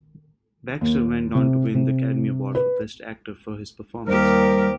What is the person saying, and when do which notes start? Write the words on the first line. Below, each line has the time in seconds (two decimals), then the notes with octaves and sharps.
Baxter went on to win the Academy Award for Best Actor for his performance.
0.81 D#2
1.35 C3
1.74 C3
2.55 B4
4.07 D#2 G3 G4 A#4 C5